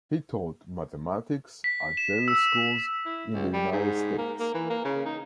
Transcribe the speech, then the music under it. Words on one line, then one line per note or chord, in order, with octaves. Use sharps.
He taught mathematics at various schools in the United States.
B6
E7
E6
E4
C#2
G3
G#2
A#3
A#3
E3
A#3
C#3
D#4